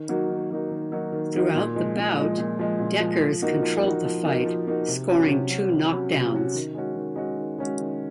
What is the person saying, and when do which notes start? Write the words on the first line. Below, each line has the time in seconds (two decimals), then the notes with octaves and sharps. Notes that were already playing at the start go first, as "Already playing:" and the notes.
Throughout the bout, Dekkers controlled the fight, scoring two knockdowns.
Already playing: D#3
0.09 F#3 A#3 D#4 F#4
0.29 D#3
0.50 F#3 A#3 D#4 F#4
0.71 D#3
0.92 F#3 A#3 D#4 F#4
1.12 D#3
1.34 F#3 A#3 D#4 F#4
1.55 A#2
1.75 F3 G#3
1.96 A#2
2.17 F3 G#3
2.37 A#2
2.59 F3 G#3
2.79 A#2
3.00 F3 G#3
3.21 F3
3.42 A#3 D#4 F#4
3.62 F3
3.84 A#3 D#4 F#4
4.05 F3
4.25 A#3 D#4 F#4
4.45 F3
4.67 A#3 D#4 F#4
4.88 C3
5.08 F#3 C#4 F#4
5.28 C3
5.50 F#3 C#4 F#4
5.70 C3
5.91 F#3 C#4 F#4
6.13 C3
6.33 F#3 C#4 F#4
6.54 D#3
6.75 G#3 C#4 F#4
6.96 D#3
7.16 G#3 C#4 F#4
7.37 D#3
7.58 G#3 C#4 F#4
7.79 D#3